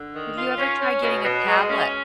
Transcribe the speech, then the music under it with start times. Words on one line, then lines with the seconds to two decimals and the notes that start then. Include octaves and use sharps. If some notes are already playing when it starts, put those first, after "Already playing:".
Have you ever tried getting a tablet?
Already playing: D3
0.13 D#3
0.36 F4
0.58 C#4
0.80 C#4
1.03 B2
1.24 B2
1.46 G#3
1.69 C#4